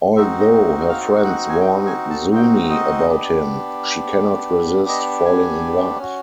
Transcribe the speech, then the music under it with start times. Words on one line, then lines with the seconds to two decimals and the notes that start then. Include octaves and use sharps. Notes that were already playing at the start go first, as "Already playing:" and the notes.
Although her friends warn Zooni about him, she cannot resist falling in love.
0.16 C4 D#4 F#4 E5
0.40 D#5
0.89 F5
1.24 F#5
1.49 G#5
1.61 G5
1.86 G#5
2.10 A5
2.35 G5
2.70 D#5
3.07 B3 D4 G4
4.89 D#5
5.25 G#5
5.98 C#4 F#4